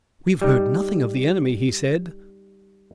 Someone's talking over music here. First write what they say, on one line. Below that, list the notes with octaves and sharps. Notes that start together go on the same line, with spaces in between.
"We have heard nothing of the enemy," he said.
G3 D#4